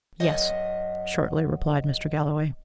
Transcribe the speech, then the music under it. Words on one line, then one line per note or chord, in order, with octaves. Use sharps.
"Yes," shortly replied Mr. Galloway.
F#2 D#5 F#5